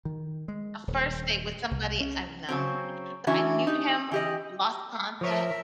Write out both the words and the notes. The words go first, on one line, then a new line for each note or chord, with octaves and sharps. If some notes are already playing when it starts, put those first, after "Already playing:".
A first date with somebody I've known, but I knew him, lost contact
D#3
G#3
D#1
C2
C#4
C#3 F#3 C4
E3 C#4 D4 F#4 E5
D#4 G4
E3 G4 D#5
F3 A#4 C#5 E5